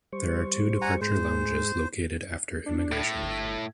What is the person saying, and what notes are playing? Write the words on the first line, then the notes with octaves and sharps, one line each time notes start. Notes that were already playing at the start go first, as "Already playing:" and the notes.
There are two departure lounges located after Immigration.
G3 C5 C#6
F#5 G#5 A#5
G#2 G#3 G#4 C5
D4
A2
G1